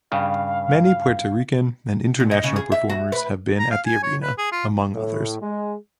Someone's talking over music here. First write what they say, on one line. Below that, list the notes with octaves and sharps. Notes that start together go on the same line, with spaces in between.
Many Puerto Rican and international performers have been at the arena, among others.
G2 C#3 F5
A#2
D#4
C#3
G#4
E5
F#4
B4
A#5
F5
G#5
C#5
B4
G#4
F4
A2
G#3